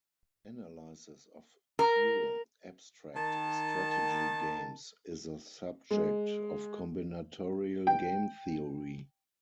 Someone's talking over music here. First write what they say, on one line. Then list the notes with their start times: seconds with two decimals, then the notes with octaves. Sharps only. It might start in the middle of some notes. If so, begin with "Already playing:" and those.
Analysis of "pure" abstract strategy games is the subject of combinatorial game theory.
1.79 A#4
3.16 D#3 A5
5.91 G#3
7.87 G5